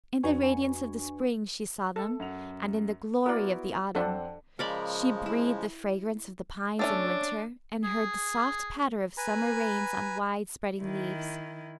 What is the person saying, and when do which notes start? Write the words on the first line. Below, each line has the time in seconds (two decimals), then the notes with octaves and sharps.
In the radiance of the spring, she saw them, and in the glory of the autumn; she breathed the fragrance of the pines in winter and heard the soft patter of summer rains on widespreading leaves.
0.24 F2 D4 F#4 B4 G#5 C#6
1.96 A4
2.20 F#2 F#5 F7
3.26 B3 E4 F#4 A#4 D5
3.95 F2 D4 A4 C5 F#5
4.59 C#3 F3 G#3 A#4 D5 B5
5.26 E4
6.79 A3 C#4 D4 A4
7.84 G#4
9.17 B4 G#5 A#5 B5
10.81 D#3 E4